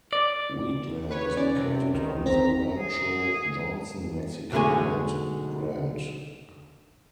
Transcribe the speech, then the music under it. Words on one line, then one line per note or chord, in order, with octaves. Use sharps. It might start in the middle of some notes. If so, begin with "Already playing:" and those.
Wheatland is located on the Rancho Johnson Mexican land grant.
D5
B4 C#5
C#4 D5
C3
C#2 D#3
G1 C4 A#5 B6
G#4
B1 B2 D3 G#3 A3 G#5